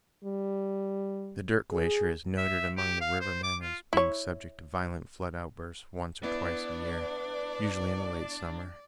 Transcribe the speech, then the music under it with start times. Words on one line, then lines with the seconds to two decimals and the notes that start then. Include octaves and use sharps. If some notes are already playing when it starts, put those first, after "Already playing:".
The Dirt Glacier is noted among the river men as being subject to violent flood outbursts once or twice a year, usually in the late summer.
0.24 G3
1.72 G#4
2.37 E5
2.77 G4
3.01 F5
3.21 C5
3.43 D6
3.62 F4
3.93 E4 C#5
6.23 B3 D4 E4 B4 D5